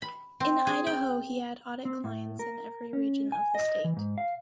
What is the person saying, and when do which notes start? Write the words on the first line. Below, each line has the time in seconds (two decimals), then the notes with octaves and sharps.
In Idaho he had audit clients in every region of the state.
0.02 B5
0.40 C4
0.67 G#4
0.87 G5
1.85 C4
2.04 A2
2.39 A#4
2.93 C#4
3.32 G#5
3.55 D#5
3.84 E3
3.97 G#2
4.18 F5